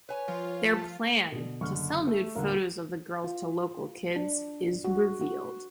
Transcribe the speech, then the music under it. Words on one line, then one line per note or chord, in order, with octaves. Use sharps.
Their plan, to sell nude photos of the girls to local kids, is revealed.
B4 C#5 G#5
F3 F4
A5
B2 D3
F#1 D3 C#6 F6
A3
D#1 D3 A#4 F5
F4
D4
F#4
F#4